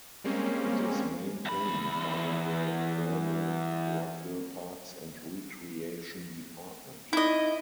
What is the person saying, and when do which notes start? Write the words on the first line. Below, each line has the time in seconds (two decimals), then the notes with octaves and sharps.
It is maintained by the Vernon-Rockville Parks and Recreation Department.
0.24 G3 G#3 A#3 C4 C#4
1.45 E2 B5
7.13 D#4 E4 D#5